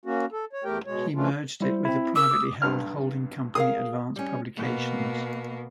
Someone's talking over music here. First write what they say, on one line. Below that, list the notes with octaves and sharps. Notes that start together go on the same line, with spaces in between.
He merged it with the privately held holding company Advance Publications.
A#3 C#4 F#4
A4
C#5
E2 A3 G4 A#4 G5
B2 G#3 C#5
E3 F3 A3 C#4 D4 F4
G3 E4 C5
C4 E4
A#4 D6 E6
D6 D#6
B1 G2 F6
G#4 A#4 F5 D#6
G3 C#4
B2 A#3